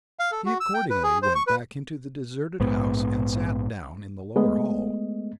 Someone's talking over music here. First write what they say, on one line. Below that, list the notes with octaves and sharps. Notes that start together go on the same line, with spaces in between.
He accordingly went back into the deserted house, and sat down in the lower hall.
F5
A4
F#4
E6
G5
B4
G#4
C5
C#6
B4
A#1 G#2 B3
G#3 A3 B3 D#5